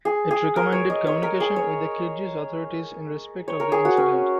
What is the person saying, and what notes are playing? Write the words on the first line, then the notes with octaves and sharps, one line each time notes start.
It recommended communication with the Kyrgyz authorities in respect of the incident.
G#4
G#4
A#4
C#5
D#5
C#5
A#4
G#4
C#5
C#5
A#4
G#4
F#4
C#4